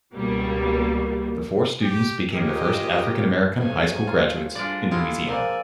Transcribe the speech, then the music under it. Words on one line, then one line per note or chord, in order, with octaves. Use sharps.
The four students became the first African American high school graduates in Louisiana.
C#2 B2 G3 A#3
G4
D#3 G#3 F4 G4 A#4 C#5 D#5
D2 G2 C#5 G#5
F4
G3 G#3 D4 F4 D5
G#3 E4 F4 G4 A4
F3 A#3 D5 G#5 E6